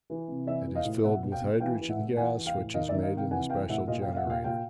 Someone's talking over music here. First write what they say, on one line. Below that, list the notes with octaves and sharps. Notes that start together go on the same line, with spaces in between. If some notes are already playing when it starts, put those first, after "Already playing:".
It is filled with hydrogen gas, which is made in a special generator.
E3
C3
E3 D5 E5
E3
D#5 F5
A2
B2 E5 F#5
B2
F5 G5
B2
E3 F5 G5
E3
E5 F#5
A2
E3 F#5 G#5
E3
F5 G5
A2
D#3 D#5 F5
D5 E5
D#3
D#5 F5
C3 F5 G5
E3 F#5 G#5
E3 F5 G5
A2 E5 F#5
A#2 D#5 F5
F5 G5
A#2
F5
E5 F#5
A#2 F5 G5
A#2 F5 G5